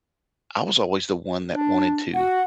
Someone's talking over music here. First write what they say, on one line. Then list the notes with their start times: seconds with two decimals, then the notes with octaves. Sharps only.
I was always the one that wanted to
1.51 D4
2.14 F#4 F#5